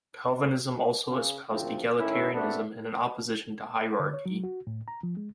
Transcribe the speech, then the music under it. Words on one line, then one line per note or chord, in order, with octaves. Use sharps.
Calvinism also espoused egalitarianism and an opposition to hierarchy.
C#3
G#1 D2 A#2 C#3 F3 C4
A2 D#3 C#4 E4
G3 A3 B3 C4 D4 A4
D3
C#5
F#3
F#4
A2
A#5
F3
G#3